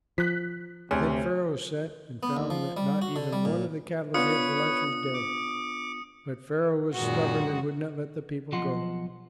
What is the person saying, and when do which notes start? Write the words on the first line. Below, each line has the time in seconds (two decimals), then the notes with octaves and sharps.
Then Pharaoh sent and found that not even one of the cattle of the Israelites was dead; but Pharaoh was stubborn and would not let the people go.
0.18 F3 F#6 B6
0.91 D2 C3 C#4
2.23 B3
2.37 D#2
2.50 F3
2.77 G3
3.02 F#4
3.16 D3
3.33 G3
3.45 A#2
4.14 B3 D4 F4 B4 C#5 D#6 C#7
5.14 D6
6.94 F#2 A#2 D#3 G#3 F#4
8.52 B1 F3 F4 D#5 F#5 C6